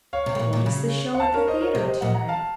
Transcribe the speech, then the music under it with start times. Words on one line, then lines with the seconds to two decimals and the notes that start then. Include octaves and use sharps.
What is the show at the theatre to-night?
0.13 C#5 F5
0.26 C3
0.35 A2
0.40 A#2
0.53 A#2
0.66 C#3
1.14 F#5
1.20 F5 A5
1.34 A#4 C#5
1.48 C5 D#5
1.61 A#4 C#5
1.74 C3 C5 D#5
1.88 C5 D#5
2.01 A#2 D#5 F#5
2.14 F#5 A#5
2.29 F5 A5